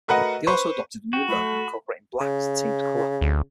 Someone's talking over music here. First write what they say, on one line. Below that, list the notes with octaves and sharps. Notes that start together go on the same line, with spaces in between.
They also adopted a new logo incorporating black as the team's colour.
A3 F#4 A#4 B4 D#5 F#5
B4 C5 C#6
F#4 G5
A3 B5
C#3
D2